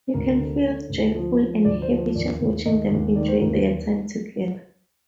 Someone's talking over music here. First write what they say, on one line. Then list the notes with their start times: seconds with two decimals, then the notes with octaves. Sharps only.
You can feel joyful and happy just watching them enjoy their time together.
0.14 D2 A#4
0.39 D3
0.65 D3
0.90 D2
1.15 F3
1.40 F3
1.65 D2 D5
1.82 C5
1.91 F3
1.98 C5
2.15 D#2 D5
2.41 D#2
2.66 D#2 D#5
2.91 D#2
3.16 D#3 D5
3.28 C5
3.41 D#2 A#4
3.54 C5